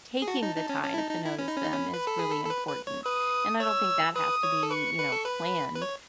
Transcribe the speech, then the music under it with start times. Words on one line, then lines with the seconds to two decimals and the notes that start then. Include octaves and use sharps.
taking the time to notice them is really important. And I don't think that has to be, you know, planned.
0.22 G#4
0.28 F#4 A5
0.42 D#4
0.56 D#4
0.69 C#4
0.84 C#4
0.94 E4
0.98 D#4
1.11 D#4
1.26 E4
1.38 C#4 B5
1.48 D#4
1.57 C#4
1.65 D#4
1.73 C#4
1.94 B4
2.07 A4
2.19 G#4
2.31 A4
2.45 A4
2.50 B4
2.68 B4
2.87 C#5
3.05 B4 D#6
3.60 C#5 E6
4.16 B4 D#6
4.43 C#5
4.63 A4
4.71 B4 C#6
4.99 B4
5.12 A4
5.26 B4 B5
5.74 B4
5.82 C#5